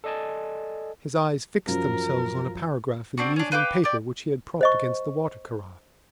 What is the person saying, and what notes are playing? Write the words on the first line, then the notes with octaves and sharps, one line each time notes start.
His eyes fixed themselves on a paragraph in the evening paper which he had propped against the water-carafe.
A4 D5 D#5 G#5 A5
F#2 F3 A#4
C4 D4 F#4
C#4 D4
B4 F5 G5 D6
G4 D5
C5 D#5 C#6